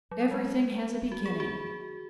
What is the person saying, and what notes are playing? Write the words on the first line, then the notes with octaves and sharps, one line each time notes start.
Everything has a beginning.
F#3
G#3
F#4
G#4
F#4